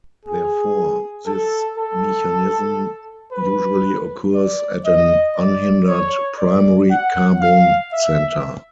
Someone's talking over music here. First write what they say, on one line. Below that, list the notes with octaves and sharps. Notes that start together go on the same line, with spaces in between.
Therefore, this mechanism usually occurs at an unhindered primary carbon center.
G#4
A4
A4
B4
D5
D#5
D5
C#5
D5
F#5
F5
E5